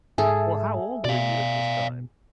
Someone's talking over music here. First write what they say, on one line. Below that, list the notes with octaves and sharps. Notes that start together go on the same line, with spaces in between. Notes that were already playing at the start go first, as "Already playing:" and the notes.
Well, how old were you at this time?
G#2 G#4 A4 E5
B2 D5 F5